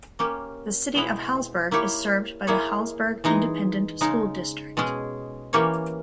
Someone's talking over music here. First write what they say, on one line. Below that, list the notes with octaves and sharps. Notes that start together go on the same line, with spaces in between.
The City of Hallsburg is served by the Hallsburg Independent School District.
A#3 C#4 G4
B2 G#3 B3 E4
A#3 E4 G4 C#5
A#3 E4 G#4 C#5
E3 G#3 D#4 G#4
C#3 G#3 D#4
B2 G#3 C#4 G#4
E3 A#3 C#4 G4 C#5